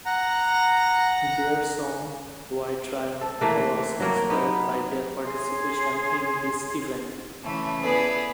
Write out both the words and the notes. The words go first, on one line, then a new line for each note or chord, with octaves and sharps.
Their song "White Riot" was inspired by their participation in this event.
F#5 A#5
A4
E3 A3 A#3
F#3 A#3 C#5
B3 D#4
G#4 C#5 G#5 C6
C#3 E3 A3
B3 E4 G#4 A4 B4 D5